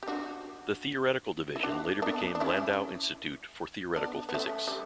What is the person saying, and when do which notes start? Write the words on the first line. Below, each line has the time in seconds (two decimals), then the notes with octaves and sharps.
The theoretical division later became Landau Institute for Theoretical Physics.
0.03 G4
0.08 D4 F#4
1.56 E4
1.63 D4 F#4
2.02 B3 D4
2.35 D4
2.40 C#4 E4
3.96 B3 D4
4.29 B3
4.34 A3 C#4
4.68 G3